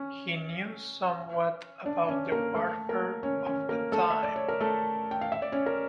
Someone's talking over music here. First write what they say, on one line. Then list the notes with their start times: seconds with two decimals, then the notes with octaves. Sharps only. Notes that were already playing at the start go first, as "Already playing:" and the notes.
He knew somewhat about the warfare of the time.
Already playing: C#4 C#5
1.86 D4 D5
2.08 C#4 C#5
2.32 A#3 A#4
2.55 A3 A4
2.89 A#3 A#4
3.23 C#4 C#5
3.46 C#4 C#5
3.69 A#3 A#4
3.92 A3 A4
4.10 E5
4.23 D5
4.36 C#5
4.48 A#4
4.60 A3 A4
5.11 G5
5.21 F5
5.32 E5
5.42 D5
5.52 C#4 C#5
5.66 A#4